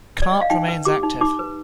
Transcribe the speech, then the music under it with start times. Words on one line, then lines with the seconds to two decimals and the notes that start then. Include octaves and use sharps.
Karp remains active.
0.22 D5
0.32 D#5
0.41 F5
0.50 D#4 G5
0.68 B4
0.85 G4 D6
1.03 D#4
1.21 D#4 D6
1.39 B4